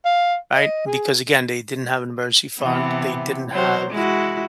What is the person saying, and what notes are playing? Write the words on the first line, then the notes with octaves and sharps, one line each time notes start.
Right? Because again, they didn't have an emergency fund, they didn't have
F5
D#5
G#4
C3 E3 B3
F#3 C5
G#3 E4 F#4